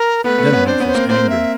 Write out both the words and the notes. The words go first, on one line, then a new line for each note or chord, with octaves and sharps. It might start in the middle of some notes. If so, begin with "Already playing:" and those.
Then Leif was angry.
Already playing: A#4
A3 B3 B4
A3 B3
B3 C#4
C4 D4 C5
B3 C#4
C5
A#3 C4
A#3 C4 C5
E5